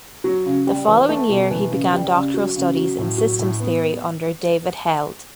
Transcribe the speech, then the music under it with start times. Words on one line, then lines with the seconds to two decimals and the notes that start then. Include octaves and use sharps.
The following year he began doctoral studies in Systems theory under David Held.
0.24 F#3
0.46 C#3
0.67 G3
0.88 E3
1.09 A3
1.29 B2
1.51 E3
1.71 C#3
1.93 G3
2.14 C#3
2.34 F#3
2.56 C#3
2.76 F#3
2.98 A2
3.18 F#3
3.39 A2
3.60 B3